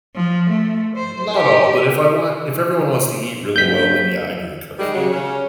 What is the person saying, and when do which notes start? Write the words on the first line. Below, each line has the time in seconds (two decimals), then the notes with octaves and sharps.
Uh, not all, but if I want if everyone wants to eat really well, then yeah, I do the cooking.
0.15 F3
0.51 A3
0.97 C5
1.36 G4
3.56 F#1 G2 G6 B6
4.78 D#3 G3 G#3
4.94 C#3 F#3
5.13 C#3 C#4